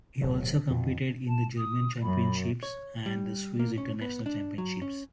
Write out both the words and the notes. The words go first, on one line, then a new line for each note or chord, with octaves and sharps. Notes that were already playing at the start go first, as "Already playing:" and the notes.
He also competed in the German Championships and the Swiss International Championships.
D1 D#2 G#2 F#3
F2 B2
A5
D#6
F#2 B5
C#5
G3
A#3
C#4
B3
D4
F#3
C#4